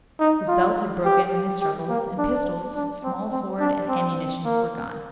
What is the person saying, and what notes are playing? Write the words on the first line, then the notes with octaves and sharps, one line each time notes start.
His belt had broken in his struggles, and pistols, small sword and ammunition were gone.
D#4
F4
G4
G4
A#3
D4
D4
C4
C4
D4
C4
A#3